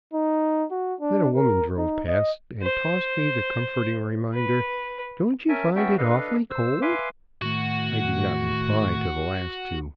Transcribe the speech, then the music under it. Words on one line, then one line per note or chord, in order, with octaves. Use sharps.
Then a woman drove past and tossed me the comforting reminder: "Don't you find it awfully cold?" I did not reply to the last two.
D#4
F#4
D4
A#4
D#4
D#5
C5
B4
C#4 A#4 E5 G#5 A5
B3 C#4 F#4 E5 G5 A5
D4 A4 B4 D#5 F5
C5 E6
B4 E5 F5 G#5 C6 D6
A2 D#3 A3 F#4